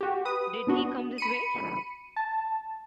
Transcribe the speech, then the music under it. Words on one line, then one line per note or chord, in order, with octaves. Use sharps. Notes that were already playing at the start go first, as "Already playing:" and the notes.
Did he come this way?
F#4 G4
B4 D#6
B3 D4 F#4
B5 C#7 D#7
A5